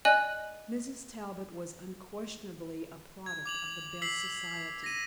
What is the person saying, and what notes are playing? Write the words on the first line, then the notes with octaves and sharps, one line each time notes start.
Mrs. Talbot was unquestionably a product of the best society.
D5 D#5 G#5 F#6 F#7
G#6
D6 F7 F#7
E6 B6 C7 F#7
A#6 D#7